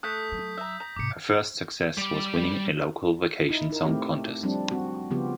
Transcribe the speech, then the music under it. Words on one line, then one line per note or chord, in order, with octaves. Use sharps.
Her first success was winning a local vacation song contest.
A3 D#6 F#6 G6 B6
F#3
E5 A#5
A#5
G#2 C3 D6 C#7
G3 D5
D#4 E4
D#4 A#4
A3 C4 E4 G4
F3 G3 C4 D4
C4 F#4
C#3 F3 B3 F4 G4